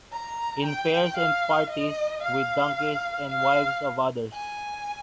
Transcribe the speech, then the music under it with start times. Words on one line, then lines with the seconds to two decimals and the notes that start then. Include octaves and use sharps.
In fairs and parties, with donkeys and wives of others.
0.12 A#5
0.65 G5
1.17 F5
1.70 D#5
2.23 F5
3.28 F5
4.33 G#5